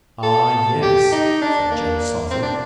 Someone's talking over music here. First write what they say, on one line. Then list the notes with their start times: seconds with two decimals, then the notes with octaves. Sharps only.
"Ah, yes," said Joe, softly.
0.23 A4
0.82 G4
1.12 D#4
1.42 D4
1.71 A#3
2.31 C4
2.42 D4